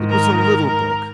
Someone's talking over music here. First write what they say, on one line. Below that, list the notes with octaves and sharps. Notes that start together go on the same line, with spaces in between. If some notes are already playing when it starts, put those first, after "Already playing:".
It was a little book.
Already playing: G#2 D#3
A#4
A#4
A#4